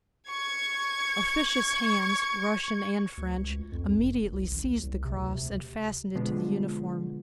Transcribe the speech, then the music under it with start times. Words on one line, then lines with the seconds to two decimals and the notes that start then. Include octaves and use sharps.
Officious hands, Russian and French, immediately seized the cross and fastened it to the uniform.
0.29 C#6 G#6
3.17 D2
3.38 C#2
3.72 F2
3.98 F1
4.32 C2
4.51 A1
4.64 D#2
4.83 C2
5.05 C3
5.18 D2
5.34 C3
6.15 B2 D3 F3 G#3 B3